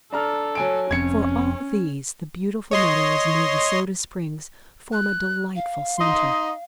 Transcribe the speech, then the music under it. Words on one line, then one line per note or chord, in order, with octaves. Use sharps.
For all these the beautiful meadows near the Soda Springs form a delightful center.
D4 A4 A#5 F6
F#3 G#5 D7
F1 F2 C4 C#4 G#6 C#7
C#5 D#5 C6
F#6
F5
D#4 D#5 C6